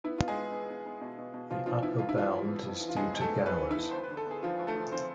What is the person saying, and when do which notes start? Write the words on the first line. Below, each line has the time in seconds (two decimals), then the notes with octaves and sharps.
The upper bound is due to Gowers.
0.04 B3 E4
0.18 B2 F4
0.28 G#3 G#4
0.37 B3
0.52 B3
0.70 B3
0.86 B3
1.01 B2
1.18 B2
1.34 B2
1.50 B2 F3 F4
1.66 B2 F3 F4
1.83 B3 E4
1.99 F2 F4
2.09 E4
2.15 F3 B3 F4
2.31 E3
2.48 B3
2.65 F2
2.80 E3
2.89 F4
2.96 F2 G#3 G#4
3.13 F2
3.21 A3 A4
3.29 B3
3.46 F2 B3 B4
3.62 E3
3.71 E4
3.79 B3
3.91 D2 C5
4.04 B4
4.10 D3
4.17 A4
4.26 B3 G#4
4.43 D3 F3 F4
4.59 D2
4.67 A3 A4
4.75 F3
4.92 F3 C4 C5